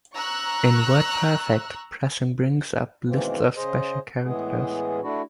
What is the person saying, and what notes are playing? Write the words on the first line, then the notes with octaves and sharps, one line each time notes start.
In WordPerfect, pressing brings up lists of special characters.
A#5 C#6 E6 F#6
B2 D#3 E3 G#3 A#3 C4
C#3 G#4 C5 D#5
A2 E3 G#3 B3 G#4
A3 D4 E4 F#4